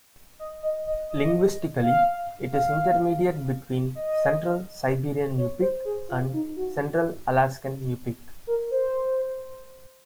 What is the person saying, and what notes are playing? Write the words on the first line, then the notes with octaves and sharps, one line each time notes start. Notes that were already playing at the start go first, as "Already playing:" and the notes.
Linguistically, it is intermediate between Central Siberian Yupik and Central Alaskan Yup'ik.
D#5
D#5
D#5
D#5
F5
F5
D#5
C#5
C5
G#4
F4
D#4
F#4
A#4
C5